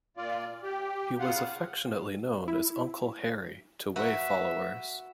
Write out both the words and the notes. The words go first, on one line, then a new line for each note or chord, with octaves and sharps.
He was affectionately known as Uncle Harry to Way followers.
A#2 F4 D5
G4
C#3 F4 F5 F#5
E4
F#4 B4 E5